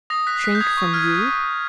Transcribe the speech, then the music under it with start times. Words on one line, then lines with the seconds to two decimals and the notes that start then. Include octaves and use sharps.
"Shrink from YOU?"
0.10 D#6 A#6
0.27 F#6 B6
0.39 C7
0.44 F#6 B6
0.55 G6
0.60 D#6 G#6
0.77 C#6
0.94 F6 G#6